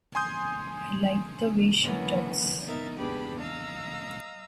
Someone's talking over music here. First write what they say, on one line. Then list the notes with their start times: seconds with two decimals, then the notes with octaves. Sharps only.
I like the way she talks.
0.15 G#5 C6 D#6 G6
1.82 D3 E3 F#3 A#3 B3 C#4
2.66 B3 D#4 A#4 E5 A6
2.97 E2 D4 G4 G#4 B4 B5
3.38 D#5 F5 A#5 E6